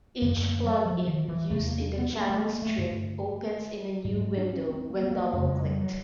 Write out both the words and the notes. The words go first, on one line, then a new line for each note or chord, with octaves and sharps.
Each plug-in used in the channel strip opens in a new window when double-clicked.
F#2 D3 A#3
A#3
F#3
F3
D#3
E3
E2 C3 A3
A#3
D4
B3
A#3
A3
A#3
A3
G2 D3
G#2 G3
G#3
D4
C#4
C4
A#3
B3
A#3
F2 C#3 A3
G#3
G3
F#3